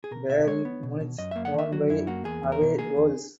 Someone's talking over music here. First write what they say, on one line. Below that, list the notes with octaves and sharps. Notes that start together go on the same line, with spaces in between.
Bayern Munich won by away goals.
G#4
B2 A#4
B2 E5
G#3 C#5
B3
B2
B2
F#2 D#5
A#3 E5
F#5
D#3 E5
F#3 F#4
F#2 E4
A#3 F#4
E2 G#4
E2
A#4
B2
A#3 G#4
E2